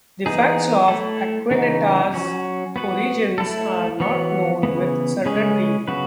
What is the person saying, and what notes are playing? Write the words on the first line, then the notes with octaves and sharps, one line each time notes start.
The facts of Acquanetta's origins are not known with certainty.
E3 B3 D#4 G#4
A3 E4 A4
C#3 E3 B3 D#4
F#3 C#4 F#4
B3 F#4 B4
A3 E4 A4
E3 B3 F#4 C#5
C#3 E3 G#3 B3
C#3 G#3 C#4 G#4 B4
C#3 F#3 B3 F#4 B4